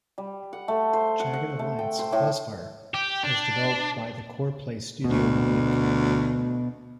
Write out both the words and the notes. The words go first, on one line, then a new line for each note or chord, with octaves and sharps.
"Jagged Alliance: Crossfire" was developed by the Coreplay Studio in Munich.
G3
F#5
A3
C5
F#5
F#5
A3
G5
C5
A2
G4
D4
D2 B2